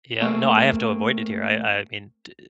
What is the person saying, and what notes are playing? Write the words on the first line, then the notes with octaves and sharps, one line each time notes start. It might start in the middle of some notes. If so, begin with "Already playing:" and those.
Yeah, no, I have to avoid it here. I I mean, t
A3 A#3 C4 G#4 E5